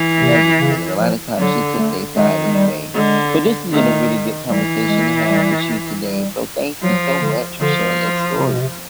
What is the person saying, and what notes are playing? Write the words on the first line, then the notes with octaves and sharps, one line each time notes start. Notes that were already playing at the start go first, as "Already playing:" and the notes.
and I just didn't. A lotta times, she took they side anyway, but this has been a really good conversation to have with you today, so thank you so much for sharing your stories.
Already playing: E3
C3
C#3
F3
D3 F#3
A3
D#3 G#3
G#3
G3
D3 G#3
D#3 A3
E3 G3
G#3
G3
G3
F3 F#3
D3
D3 F3
C#3
C3
B2
C3